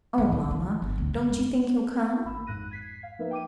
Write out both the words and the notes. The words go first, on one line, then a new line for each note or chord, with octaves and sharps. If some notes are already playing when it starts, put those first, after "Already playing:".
"Oh, mamma, don't you think he'll come?"
A2
B1
E3
G1
D2
F#2
G#3
G#1 B5 E6
F2 G#2 F#6 A#6 D#7
G#6 B6 C7
F5
F3 A#3 D#4 A#4 B4 E5
G5 D6 D#7